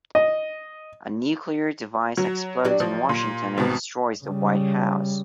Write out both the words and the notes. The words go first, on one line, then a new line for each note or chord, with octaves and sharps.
A nuclear device explodes in Washington and destroys the White House.
D#5
F#3
F#3 D4 G4
F3 F#3
A#2
G#1 B2 C4
C#3 G3